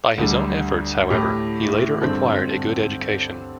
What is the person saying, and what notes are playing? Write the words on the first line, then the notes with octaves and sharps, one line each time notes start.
By his own efforts, however, he later acquired a good education.
D2 D3 G3
A2 A3 E4 G4
G2 D3 C4 A4